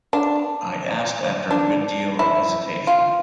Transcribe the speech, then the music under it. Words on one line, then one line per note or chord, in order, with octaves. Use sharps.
I asked after a good deal of hesitation.
D4
D4
E4
F4